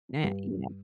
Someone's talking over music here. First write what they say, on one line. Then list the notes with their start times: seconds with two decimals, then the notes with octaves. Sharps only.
na you know."
0.24 G2